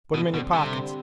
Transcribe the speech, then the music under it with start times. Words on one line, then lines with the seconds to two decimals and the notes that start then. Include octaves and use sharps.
"Put 'em in yo' pockets."
0.14 B2 D3 G3 C4
0.34 B2
0.53 C3